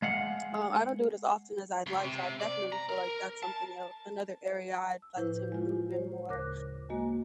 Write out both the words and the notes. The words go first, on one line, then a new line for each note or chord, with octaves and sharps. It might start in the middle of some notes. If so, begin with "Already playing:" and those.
Um, I don't do it as often as I'd like, so I definitely feel like that's something el another area I'd like to improve in more,
G#3 F5 F#5
C#2
C3
D5
A#5
A#4
A5
E6
A2 F3 E4 B4 C5 G6
G#3 F4
C5 C#5
D2 C#3 A#4 D6 F#6 A#6
G#3 A#3 F#4 D#5 G#5